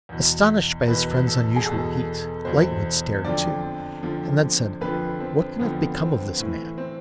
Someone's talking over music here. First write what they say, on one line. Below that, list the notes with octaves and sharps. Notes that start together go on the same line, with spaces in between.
Astonished by his friend's unusual heat, Lightwood stared too, and then said: 'What can have become of this man?'
E2 B2
E2 B2 B4
A4
G#4
E2 B2 A4
E2 B2 C5
F2 D3 F3 D5
F2 D3 F3
F2 D3 F3 B4
C4
F2 D3 F3 B3
C4
A2 E3
C4